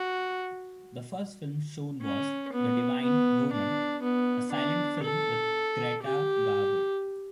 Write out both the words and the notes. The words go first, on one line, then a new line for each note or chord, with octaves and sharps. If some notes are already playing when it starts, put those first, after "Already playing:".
The first film shown was "The Divine Woman", a silent film with Greta Garbo.
Already playing: F#4
C#4
B3
B3
D4
B3
D4
A4
G4